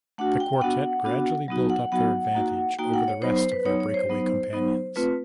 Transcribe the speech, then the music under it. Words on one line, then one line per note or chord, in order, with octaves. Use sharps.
The quartet gradually built up their advantage over the rest of their breakaway companions.
A3 D4 F#4 F#5
G5
B3 D4 F#4 F#5
B3 D4 F#4
F#3 B3 D#4 F#4
F#5
F#3 B3 D#4 F#4 F#5
A#3 D#4 F#4
A#3 D#4 F#4 G5
F#5
C#5
F#3 B3 D#4 C5
C5
B4
F#3 B3 D#4 C#5
C#5
C5
F#3 B3 D#4
F#3 B3 D#4
A3 C4 F4 B4